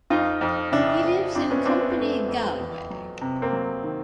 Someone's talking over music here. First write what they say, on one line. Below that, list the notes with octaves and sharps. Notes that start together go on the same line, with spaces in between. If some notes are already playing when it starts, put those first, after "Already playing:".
He lives in Company Galway.
F2 D#4 F4
F2
C#3 D4 E4
F2
F2 C4 D4
B3 C#4
F2 C4 D4
B3
C4
F2 A3 B3
F2
E2
F#3
C3
A#3 C4
F#3
D#3